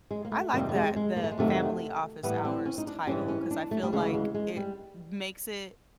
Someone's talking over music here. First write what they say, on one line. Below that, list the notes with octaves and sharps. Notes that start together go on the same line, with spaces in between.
I like that, the family office hours title, 'cause I feel like it m makes it
G#3
A#3
A3
F2 C3 D#3 G3 A#3
G3
G#3
G#3
A#3
A3
G#3
F2 C3 D#3 F#3 A3
A2 E3 G3 B3
C4
C#4
D#4
D4
G#2 E3 G3 C#4
C#4
D4
A3
G3
D2 C#3 E3 G#3
G#3
G#3
G3